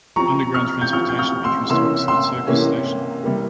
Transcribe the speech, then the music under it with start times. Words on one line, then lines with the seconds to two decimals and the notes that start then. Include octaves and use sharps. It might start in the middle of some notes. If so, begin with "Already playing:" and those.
Underground transportation entrance to Oxford Circus Station.
0.16 F3 C4 A#5 C#6
0.54 C#6 F6
0.81 G6
0.93 F3 C4 C#6 F6
1.09 G6
1.19 C#6 F6
1.44 C6 E6
1.70 C3 E3 A#3 C#4 C6 E6
2.08 C6 E6
2.47 C3 E3 A#3 C#4
3.23 C3 G3 A#3